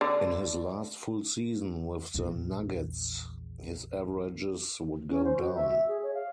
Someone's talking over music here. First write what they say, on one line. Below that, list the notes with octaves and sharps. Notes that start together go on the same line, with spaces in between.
In his last full season with the Nuggets his averages would go down.
D3
A#1 E2
C#4
C5
F#4
E5
E5
G#4
C#5
F5